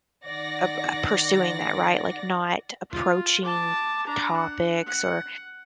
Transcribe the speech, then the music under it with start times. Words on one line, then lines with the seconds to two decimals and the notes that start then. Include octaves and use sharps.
uh, ap uh, pursuing that, right? Like, not approaching topics or
0.24 D#3 D5 F#5 A#6
2.91 F4
3.44 A5 D6
4.07 D4 A#5
4.38 F#5
4.87 F#5